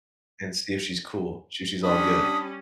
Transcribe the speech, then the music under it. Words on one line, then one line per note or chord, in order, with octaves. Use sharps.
and see if she's cool. She she's all good.
G3 C#4 D4 B5 D#6